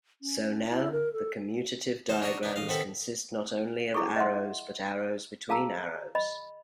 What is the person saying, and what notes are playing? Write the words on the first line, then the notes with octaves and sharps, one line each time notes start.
So now the commutative diagrams consist not only of arrows, but arrows between arrows.
C#4
E4
A#4
A4
D#4 C5 A5
D4 F#4 D#5 A#5 C#6
B3 D4
A1 D#5 F5
D#2 B3 C4 A4 F#5 B5
E4 G#4 A4 C#6
D#5 E5 F#5 C6
G#4 F5 A5 A#5 E6
D#5 B5